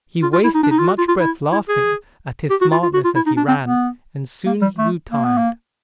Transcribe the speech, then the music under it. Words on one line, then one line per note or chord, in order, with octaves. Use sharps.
He wasted much breath laughing at his smartness as he ran, and soon he grew tired.
F4
F4
E4
D#4
D4
D#4
F4
F#4
F4
F4
E4
E4
G#4
G4
F#4
F4
F4
F#4
F4
E4
D#4
D4
C4
B3
A#3
G3
A3
A#3
B3
A#3